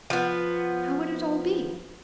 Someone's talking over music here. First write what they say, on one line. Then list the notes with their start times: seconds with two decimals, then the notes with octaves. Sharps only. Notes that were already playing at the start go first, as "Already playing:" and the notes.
How would it all be?
0.10 F3 B3